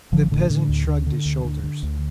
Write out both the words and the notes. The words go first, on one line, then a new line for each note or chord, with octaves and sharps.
The peasant shrugged his shoulders.
A1 D3 F3
A2 D3
A2 D3
D2
D3
D3
D2
D3
D3
D2